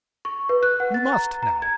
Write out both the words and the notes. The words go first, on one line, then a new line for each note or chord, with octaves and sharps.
You must, now!
C#6
B4
F#6
F#5
A6
A#5
A#5
G#6